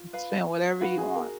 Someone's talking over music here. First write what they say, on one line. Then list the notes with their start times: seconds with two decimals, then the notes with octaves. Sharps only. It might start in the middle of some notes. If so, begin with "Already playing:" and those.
Spend whatever you want.
Already playing: F4
0.13 B4 F5 B5
0.81 F#4 B4 F5 B5
0.98 G#4
1.15 A#4